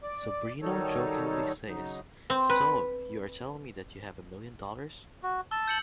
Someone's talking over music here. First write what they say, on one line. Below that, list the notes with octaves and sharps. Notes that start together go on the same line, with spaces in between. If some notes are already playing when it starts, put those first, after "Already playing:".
Sabrina jokingly says So you are telling me that you have a million dollars?
D5 D6
D#3 F#3 G3 D#4 A4 C#5
C#3 F#3 D#4
C4
B4
F#4
A5 E6
G6 C#7 F#7